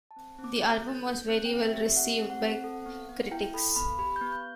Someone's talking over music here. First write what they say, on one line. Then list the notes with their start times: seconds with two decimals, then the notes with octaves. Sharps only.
The album was very well received by critics.
0.11 A5
0.16 C4
0.39 C4
0.44 D6
0.61 F#4 F#6
0.78 G6
0.84 A4 A6
0.95 G6
1.06 C4
1.12 G6
1.28 C4 F#6
1.45 G5
1.51 C4
1.62 E5
1.74 G4
1.79 E5
1.96 G4 F#5
2.19 C4
2.30 F#5
2.41 C4
2.64 A4
2.86 B3
3.09 B3
3.31 E4 G5
3.54 A4 B5
3.76 B3 B5
3.99 G4 B5
4.16 G6
4.21 B3
4.32 G6